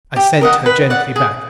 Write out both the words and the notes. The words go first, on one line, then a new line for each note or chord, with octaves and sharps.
I sent her gently back.
G4
A#4 D#5 F#5
B4
D5 F#5
G#4